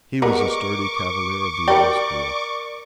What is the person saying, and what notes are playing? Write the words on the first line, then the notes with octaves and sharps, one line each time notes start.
He was a sturdy Cavalier of the old school.
G3 G#3 B3 A#4 C#6 D6
G4 A#4 D5